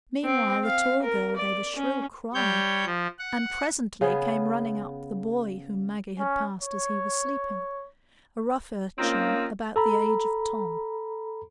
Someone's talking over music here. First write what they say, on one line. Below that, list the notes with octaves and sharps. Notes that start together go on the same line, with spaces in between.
Meanwhile the tall girl gave a shrill cry, and presently came running up the boy whom Maggie had passed as he was sleeping,--a rough urchin about the age of Tom.
C4
F5
A#4
D5
C#4
G3 C#5 G6
F3
F#5
C#3 B3 G#4
C#4
C#5
D#3 F3 A#3 C4 C#4 F4
A4 A#5 B5